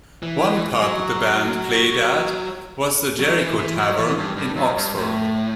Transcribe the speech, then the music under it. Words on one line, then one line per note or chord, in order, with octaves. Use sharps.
One pub the band played at was the Jericho Tavern in Oxford.
E3
F#3
F#3
E3
E3
F#3
E3
G2
G2
F#2
G2
A2